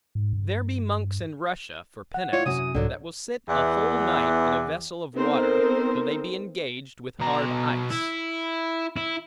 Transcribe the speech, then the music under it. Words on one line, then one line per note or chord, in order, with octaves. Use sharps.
There be monks in Russia, for penance, that will sit a whole night in a vessel of water, till they be engaged with hard ice.
G#2
G2
F#5
E4 F4 C#5 D5
F#2 C3 E4 F#4 D#6
C2 G#2 D3 F#3 D5
E2 B3 E4 D5 F#5
B3 C4 D#4 A4 A#4 C5
B2 A#5
E4
E4